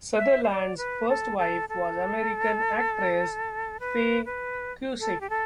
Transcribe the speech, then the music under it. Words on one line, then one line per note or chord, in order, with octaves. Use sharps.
Sutherland's first wife was American actress Faye Cusick.
E5
C5
D5
B4
A4
A4
A4
B4
B4
A4
G4
A4